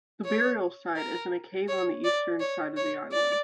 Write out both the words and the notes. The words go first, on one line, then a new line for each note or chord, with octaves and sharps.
The burial site is in a cave on the eastern side of the island.
C#5
A#4
C#5
D5
C#5
C#5
D5